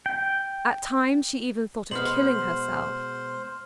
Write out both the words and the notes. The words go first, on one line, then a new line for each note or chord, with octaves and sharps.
At times she even thought of killing herself.
G5
B2 G#3 B3 C5 F6 F#7